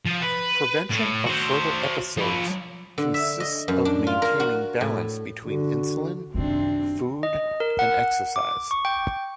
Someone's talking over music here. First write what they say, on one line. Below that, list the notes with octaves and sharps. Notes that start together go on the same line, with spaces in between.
Prevention of further episodes consists of maintaining balance between insulin, food, and exercise.
F3
B4
A2
F#4 C5
F3 B5
D3
E5
D#5
F#2
D4
F4
A#4
F#4
A2
D3 F#4
F#2 C3 D#3 C4 D4
D#5
A#4
F#5
D6
C#6
G5